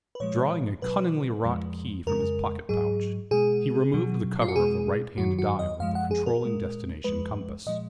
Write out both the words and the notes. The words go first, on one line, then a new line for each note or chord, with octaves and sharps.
Drawing a cunningly wrought key from his pocket-pouch, he removed the cover of the right-hand dial of the controlling destination compass.
B4
A#2 F3 G#3 C#5
B2 F#3 B4
F2 F3 G#3
F2 C#3 G#3 A#4
G#2 F#3 G#4
B2 G#3 G#4
B2 F#3
F4
F#4
B2 G#3 G#4
F#2 D#3 F#3 F#4
F#4
D#5
F#2 F3 G#3 F5
F#5
G#4
A#4
A#2 G#3
F2 F3 G#3 B4
A#2 F3 G#3 D#5